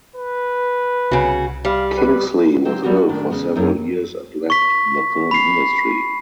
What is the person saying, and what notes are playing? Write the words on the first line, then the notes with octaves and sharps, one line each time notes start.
Kingsley was ill for several years and left the film industry.
B4
C2 C#3 F#4
G3 F5
B4
F#3 C4 G4
F#3 G3 B3 C4 F#4 G4
F#4 A4
A2 D#3 D4
E2 C#3 G#3 B3
F#2 A#3 C4 C#4 D#4 E4
C#6 B6
B5 C7